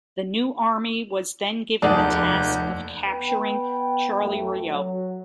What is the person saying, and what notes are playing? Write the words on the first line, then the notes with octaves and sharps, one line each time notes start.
The new army was then given the task of capturing Charleroi.
F1 D#2 G#4 A4 D5 F#5 F#6 G6
B3 B4 G5
A1 F#2 A3
F#3